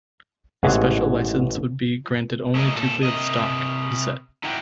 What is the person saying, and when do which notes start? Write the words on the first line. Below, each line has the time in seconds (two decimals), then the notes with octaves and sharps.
A special license would be granted only to clear the stock, he said.
0.63 A1 G#2 B2 E3 G#4 F#5
2.55 A3 G#4 A#4 D#5
2.75 A#2 A4
3.03 C3 A#4 D#5
4.44 D#4 E4 F#4 G5